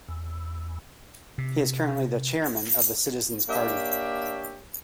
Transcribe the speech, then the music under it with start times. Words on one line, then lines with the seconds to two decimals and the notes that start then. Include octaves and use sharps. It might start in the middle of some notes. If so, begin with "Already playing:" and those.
He is currently the chairman of the Citizens' Party.
0.08 E2
1.38 C3
3.49 A#3 D4 G4 C#5 E5